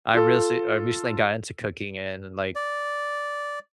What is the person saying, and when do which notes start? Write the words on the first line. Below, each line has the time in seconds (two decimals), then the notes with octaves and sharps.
I rece I recently got into cooking and like,
0.15 F4 A4
2.55 D5